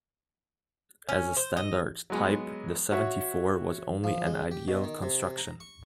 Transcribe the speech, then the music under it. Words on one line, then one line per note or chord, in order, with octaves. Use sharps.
As a standard type, the seventy-four was only an ideal construction.
C#4
C5
D#5
F#3 G#3 B3
F#4 C#5 E5
F3
G#3
G4
B2
D#3
C3
A#5
C#6